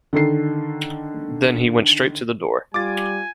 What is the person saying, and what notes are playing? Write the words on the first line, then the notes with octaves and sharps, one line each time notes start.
Then he went straight to the door.
D3 D#3 A4 C7
G3 F4 G#5 D6 A6